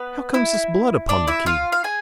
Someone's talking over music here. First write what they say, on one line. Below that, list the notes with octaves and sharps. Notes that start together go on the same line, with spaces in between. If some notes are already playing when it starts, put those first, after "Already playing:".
"How comes this blood upon the key?"
Already playing: B3 B4
E4
D4 D5
E4 E5
F4 F5
F5
G#4 G#5